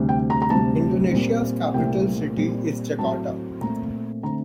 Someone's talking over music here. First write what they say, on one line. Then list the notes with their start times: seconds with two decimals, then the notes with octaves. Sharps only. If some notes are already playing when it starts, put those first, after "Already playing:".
Indonesia's capital city is Jakarta.
Already playing: D2 C3 G3
0.09 G5
0.30 A#5
0.42 A#5
0.50 D2 C3 G3 A5
1.12 A#2 G3 C4
1.74 C2 A#2 A3 C4 G5
2.37 A#2 G3 C4
2.99 A2 F#3 A3 C4 A5
3.61 A#2 A3 C4 A#5
4.23 D3 A3 C4 A#5